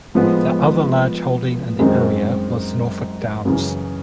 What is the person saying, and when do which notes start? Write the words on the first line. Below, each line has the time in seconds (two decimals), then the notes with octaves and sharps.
The other large holding in the area was Norfolk Downs.
0.14 A2 F3 G#3 B3
1.79 F#2 D#3 G#3 C4
3.45 F#2 C#3 E3